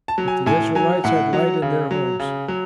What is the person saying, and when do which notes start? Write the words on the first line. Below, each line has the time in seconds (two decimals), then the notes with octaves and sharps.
But the Israelites had light in their homes.
0.08 A5
0.18 F#3
0.28 G#5
0.46 A2 G#5
0.75 F#3 G#5
1.04 A2 F#5
1.33 F#3
1.62 C#3
1.91 F#3
2.19 C#3
2.48 F#3